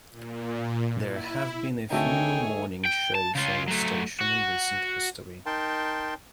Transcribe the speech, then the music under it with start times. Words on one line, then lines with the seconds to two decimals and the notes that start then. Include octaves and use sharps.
There have been a few morning shows on the station in recent history.
0.11 A#2
1.04 E4
1.90 D2 D#3 A3 C4 G#4 A4 C#5 G5
2.85 G5
3.15 A5
3.35 C#3 F4
3.68 F#3 A3
4.21 F#4
5.46 D#4 A#4 G5 A5 C6